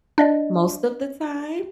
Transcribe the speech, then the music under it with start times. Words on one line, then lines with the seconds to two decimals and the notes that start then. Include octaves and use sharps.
most of the time
0.18 D4 D5 D#5